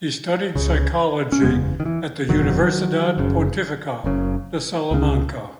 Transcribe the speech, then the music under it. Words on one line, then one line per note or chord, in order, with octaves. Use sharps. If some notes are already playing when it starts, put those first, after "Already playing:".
He studied psychology at the Universidad Pontificia de Salamanca.
C#2 C#3
C#4
F#1 E2 C#3 G#3 B3
D#3
E3
F#1 E2 B2 D#3 F#3
F#1 F#2 C#3
F#1 F#2 C#3
C#2 C#3